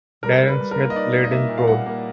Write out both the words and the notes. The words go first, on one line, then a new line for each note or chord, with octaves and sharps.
Darren Smith played in the Proles.
G3 A#4
G3
B4
G3
A#4
A#3
D#5
D#4 D5
A#3
D#5
A#3 E5
A#2
F5
G3 F#5
A#3